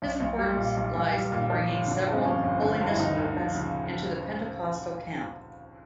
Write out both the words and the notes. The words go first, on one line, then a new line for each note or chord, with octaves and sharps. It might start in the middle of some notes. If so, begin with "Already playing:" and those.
His importance lies in bringing several Holiness movements into the Pentecostal camp.
B1
B1
G3
A#2
B1
B1
G3
A#2
F3
G1
D3
G2
C4
F3 C#4
G1
D3
G2
E4
D2 D#4
D2
F3
C#3